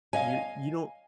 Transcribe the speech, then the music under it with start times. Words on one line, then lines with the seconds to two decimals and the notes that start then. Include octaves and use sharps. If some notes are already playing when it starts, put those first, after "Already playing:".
you you don't
0.13 C#5 D#5 F5 G#5